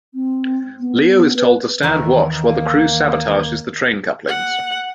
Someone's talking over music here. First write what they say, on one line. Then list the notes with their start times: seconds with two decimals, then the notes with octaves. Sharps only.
Leo is told to stand watch while the crew sabotages the train couplings.
0.14 C4
0.79 B3
1.37 B4
1.83 D#2 D#3 E3
2.44 A#3
4.28 F#5